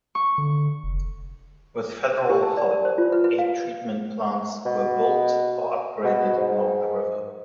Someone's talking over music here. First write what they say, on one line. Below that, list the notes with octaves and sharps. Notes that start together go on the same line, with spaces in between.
With federal help, eight treatment plants were built or upgraded along the river.
C#6
D3
F1
G4
A5
D5
A#4
C5
F4
B4
B4
F5
B2
B2
G#2